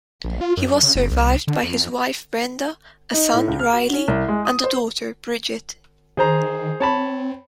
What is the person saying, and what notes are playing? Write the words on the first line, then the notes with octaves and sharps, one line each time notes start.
He was survived by his wife Brenda, a son, Riley, and a daughter, Bridgette.
A#1
F4
F#2
C#3
F#1
C2
D3
F2
D#4
A2
C#2
F6
F#4
C#4
C2
G#3
D#6
C5
D#3 G#4 C5 A#5
C4 C#5 A5 B5